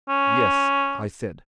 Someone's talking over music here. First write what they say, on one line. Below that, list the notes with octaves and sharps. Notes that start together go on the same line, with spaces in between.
"Yes," I said.
C#4